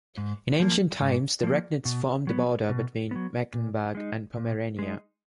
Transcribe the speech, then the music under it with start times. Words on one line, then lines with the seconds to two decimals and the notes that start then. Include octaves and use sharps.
In ancient times, the Recknitz formed the border between Mecklenburg and Pomerania.
0.18 G#2
0.60 F3 A#3
1.01 G#2
1.43 F3 A#3
1.85 B2
2.27 F#3 B3
2.69 B2
3.11 F#3 B3
3.53 A#2
3.95 G#3 D#4
4.37 A#2
4.79 G#3 D#4